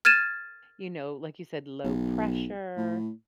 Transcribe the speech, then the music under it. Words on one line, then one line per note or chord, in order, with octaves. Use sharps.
you know, like you said, low pressure,
F6 G#6 A6 D#7 E7
B1
A2